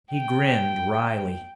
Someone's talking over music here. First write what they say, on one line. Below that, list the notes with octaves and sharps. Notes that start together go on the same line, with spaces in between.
He grinned wryly.
G5